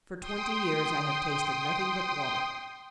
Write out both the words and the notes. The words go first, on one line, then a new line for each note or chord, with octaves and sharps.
"For twenty years I have tasted nothing but water."
G5 C6 D#6